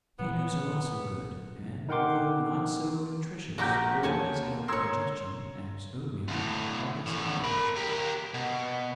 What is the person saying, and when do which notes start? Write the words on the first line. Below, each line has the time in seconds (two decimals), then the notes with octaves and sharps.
Potatoes are also good, and although not so nutritious, or easy of digestion, as oatmeal, are less heating.
0.19 A#2 F#3 B3
1.89 D#4 A#4 F#5 G5 C6 D6
3.58 A#1 F#4 G4 A#4 G6
4.03 D#2 C#5 G#5 A5
4.68 A#4 C#5 C6 E6 G#6
6.28 D2 A2
7.06 E2 A2
7.44 A#4 B5
7.76 G4 A#4
8.34 B2